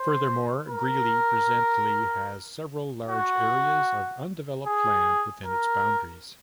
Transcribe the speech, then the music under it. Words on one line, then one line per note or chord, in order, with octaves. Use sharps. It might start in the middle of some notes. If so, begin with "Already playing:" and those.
Furthermore, Greely presently has several large areas of undeveloped land within its boundaries.
Already playing: C5
A#4
F#4
G#4
A#4